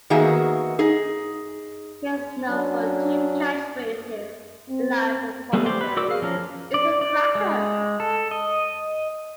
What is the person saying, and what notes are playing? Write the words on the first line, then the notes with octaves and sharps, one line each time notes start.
He is known for two catchphrases in live performances: It's a cracker!
D#3 A#3 B3 F#4 G#4 E5
D#4 G#4
F#3 C#4 D4
C4
G3 A3 B3 G#4
G4 C5 D5
B4
F#4 A#4 D5 D6 E6
G#4 F5
F3 C#4 A#4
D5
D5
G#3
A4
D#5